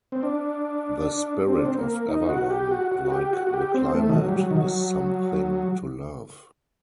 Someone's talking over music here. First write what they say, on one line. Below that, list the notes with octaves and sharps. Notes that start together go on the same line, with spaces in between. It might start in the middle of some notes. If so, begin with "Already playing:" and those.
The spirit of Avalon, like the climate, is something to love.
C4
D4
C4
D4
C4
A#3
D#4
F#4
G4
F#4
F#4
F#4
G4
F#4
F#4
G4
C4
A3
D#3
F#3
G3
F#3
D#3
F#3